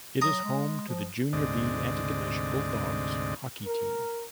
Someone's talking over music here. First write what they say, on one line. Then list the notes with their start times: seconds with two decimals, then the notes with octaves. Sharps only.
It is home to the Junior B Antigonish Bulldogs hockey team.
0.22 F#3 A#5 D#6
0.44 G#3
0.88 F3
1.33 D2 G#2 C3 D5 D#5
3.65 A#4